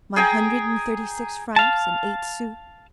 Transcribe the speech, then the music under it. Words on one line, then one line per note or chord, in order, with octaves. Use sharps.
My hundred and thirty-six francs and eight sous.
G#4 G5 G#5 A#5
F5 A5